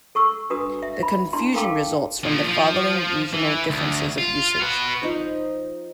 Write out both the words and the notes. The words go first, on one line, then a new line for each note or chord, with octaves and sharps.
The confusion results from the following regional differences of usage.
A4 C#6 E6
D4 F#4 B4 D#6
E5
B5
D4 E4 C6
A4 A#4 F5 G5 A5 D6
A#2 F3
F3
E3
D2
F4
F#4 B4
F3 D#4 C5